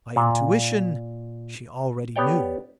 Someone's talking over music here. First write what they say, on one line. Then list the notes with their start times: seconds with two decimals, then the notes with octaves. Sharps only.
By intuition, she already knew.
0.16 A#2
2.16 B3 G4 C#5 D5 G5